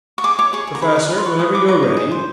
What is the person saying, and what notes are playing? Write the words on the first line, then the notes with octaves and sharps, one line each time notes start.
"Professor, whenever you're ready. . . ."
C#6
G#4 D6
C#5 D6
G#4 C#6
G#4
A#5
G#4 B5
B4 A#5
B4 A#5
C6
B4 C#6
G#4 D#6
B4 D6
B4 A#5
D#5
G#4
C5